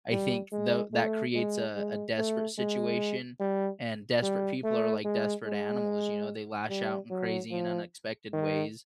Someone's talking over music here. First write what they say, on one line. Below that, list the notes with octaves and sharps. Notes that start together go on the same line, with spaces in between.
I think tho that creates a a desperate situation, and desperate people are like desperate animals, you know, they lash out in crazy and unexpected ways
G3
G#3
A3
G#3
G#3
A3
G#3
G3
G3
A3
G#3
G#3
G3
F#3
F3
D#3